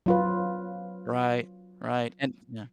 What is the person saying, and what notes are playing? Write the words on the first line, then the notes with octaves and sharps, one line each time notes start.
Right, right, and Yeah.
F#3 F4 B4